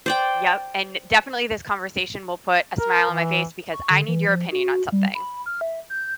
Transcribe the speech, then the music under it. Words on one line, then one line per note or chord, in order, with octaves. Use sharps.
Yep, and definitely this conversation will put a smile on my face because I need your opinion on something.
C5 D5 G5
A#4
E3
C#6
D3
E3
F3
F#4
G3
B5
F6
E5
G6